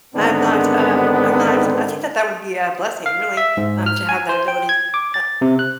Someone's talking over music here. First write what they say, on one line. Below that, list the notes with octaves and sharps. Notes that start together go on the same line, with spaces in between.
I have not, um, I've not I think that that would be a blessing, really, um, to have that ability. Uh
G#2 D3 D#3 B3 C4 D4
F5
E5
G#2
F6
G#5
C5
G5
G#6
D6
A6
C3
F#6